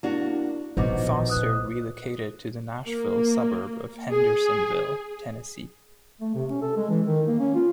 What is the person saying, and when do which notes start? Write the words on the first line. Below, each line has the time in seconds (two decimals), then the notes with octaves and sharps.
Foster relocated to the Nashville suburb of Hendersonville, Tennessee.
0.03 A#3 D4 E4 F#4
0.77 A#1 B2 D#4 F#4 C5 D#5 D6
1.28 B4 D#6 F#6
2.87 A#3
4.10 G#4
6.21 A3
6.35 C3
6.50 C#4
6.62 A4
6.76 G#3
6.90 E3
7.06 D#3
7.27 A#3
7.40 C#4
7.55 F4